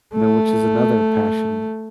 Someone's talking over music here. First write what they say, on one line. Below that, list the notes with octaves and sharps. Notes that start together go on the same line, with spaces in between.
you know, which is another passion
A3